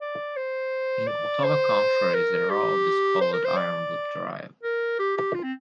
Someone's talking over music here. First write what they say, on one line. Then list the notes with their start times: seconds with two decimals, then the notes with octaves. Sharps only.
In Ottawa County, the road is called Ironwood Drive.
0.01 D5
0.36 C5
1.07 D5
1.43 C5
2.14 A#4
2.50 G4
3.21 C5
3.33 A#4
3.45 C5
3.57 D5
4.63 A#4
4.99 G4
5.16 G4
5.34 F4
5.43 C4